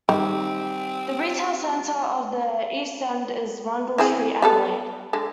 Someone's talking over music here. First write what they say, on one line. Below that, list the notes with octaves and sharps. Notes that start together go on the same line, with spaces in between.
The retail centre of the East End is Rundle Street, Adelaide.
D#3 G3 C4
E3 C4 G#4
G3 B3 A4
D3 G#3 D4